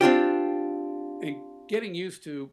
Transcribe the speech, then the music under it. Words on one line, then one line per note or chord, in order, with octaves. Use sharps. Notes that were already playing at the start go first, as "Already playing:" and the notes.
and getting used to
C4 D4 F4 G4